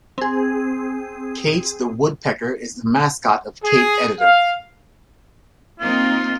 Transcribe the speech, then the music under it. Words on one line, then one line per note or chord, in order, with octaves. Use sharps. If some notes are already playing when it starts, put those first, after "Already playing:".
Kate the woodpecker is the mascot of Kate editor.
C4 G#4
G#4
F5
A#3 C4 D#4 F4